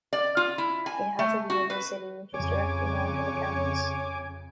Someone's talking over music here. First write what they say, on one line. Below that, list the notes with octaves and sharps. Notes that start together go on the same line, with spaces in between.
It has a view of the city, which is directly north of the campus.
D5
F4
E4
G#5
A3
F#4
B4
F2 C#3 C#5 G#5 D6